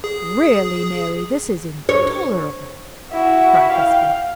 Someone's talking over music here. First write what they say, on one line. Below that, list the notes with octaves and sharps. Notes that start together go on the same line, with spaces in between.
"Really, Mary, this is intolerable!" cried Hesper.
G#4
C#5
E4 F#4
F5 G5